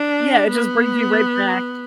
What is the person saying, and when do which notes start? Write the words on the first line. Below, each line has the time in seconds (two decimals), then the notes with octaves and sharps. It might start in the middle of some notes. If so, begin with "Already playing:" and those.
yeah, it just brings me right back
Already playing: D4
0.50 B3